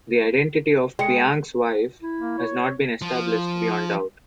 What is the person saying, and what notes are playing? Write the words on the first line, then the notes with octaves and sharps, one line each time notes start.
The identity of Piankh's wife has not been established beyond doubt.
G#3 G5 C#7
E4
A#3
C#5
F3